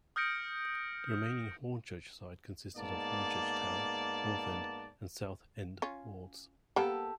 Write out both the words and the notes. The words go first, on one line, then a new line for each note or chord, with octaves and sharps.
The remaining 'Hornchurch side' consisted of Hornchurch Town, North End, and South End wards.
D#6 F6 G6 A#6 C#7 D7
G#2 A#3 B3 D5 A5
C#4 F4
A#3 B3 G4 A4